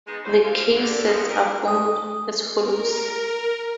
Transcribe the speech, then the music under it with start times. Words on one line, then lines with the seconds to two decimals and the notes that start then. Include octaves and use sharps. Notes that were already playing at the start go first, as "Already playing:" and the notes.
The K sets are formed as follows.
0.07 G#3 B3 D#4
0.24 E2 C#3 A3 C5
0.44 D3 F3 F5
0.76 G2 D3
1.06 G2 A#2 C#3 F#3 B3 C4
1.27 D#4 G4 G#4 A#4
1.68 D#6
2.61 A#4